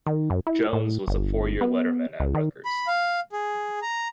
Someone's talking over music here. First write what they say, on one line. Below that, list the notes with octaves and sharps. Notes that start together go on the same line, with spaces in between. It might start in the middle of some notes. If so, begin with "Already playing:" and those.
Jones was a four-year letterman at Rutgers.
D#3
F#2
E4
A2
G1
B3
C#2
D#3
B5
F5
G#4
A#5